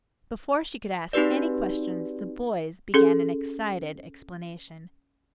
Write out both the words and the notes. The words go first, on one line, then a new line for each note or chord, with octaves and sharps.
Before she could ask any questions, the boys began an excited explanation.
C4 D#4 F#4 G4 B4 D5
C#4 G#4 A4